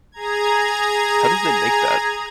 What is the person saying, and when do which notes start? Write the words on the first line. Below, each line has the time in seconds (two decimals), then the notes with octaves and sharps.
How did they make that?
0.12 G#4 A#5 G#6